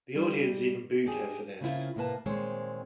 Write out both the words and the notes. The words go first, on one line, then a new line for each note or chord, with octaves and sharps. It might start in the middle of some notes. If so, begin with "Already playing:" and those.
The audience even booed her for this.
G3 G4
D4 G4 G#4
C#3 A#3 C4 E4 F4
A2 C3 A#3 B4 A5
A#2 D#3 G#3 C4 C5 C#5